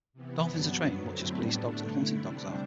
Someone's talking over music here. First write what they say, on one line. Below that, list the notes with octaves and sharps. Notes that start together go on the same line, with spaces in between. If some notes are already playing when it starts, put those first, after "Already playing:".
Dolphins are trained much as police dogs and hunting dogs are.
C3 E3 B3
G2 F#3 B3 D4
F#2 F#3 B3
D3 F#3 A3 C4 E4
A2 G3 B3 D4
D3 A3 D4
D3 A3 E4
C3 G3 D4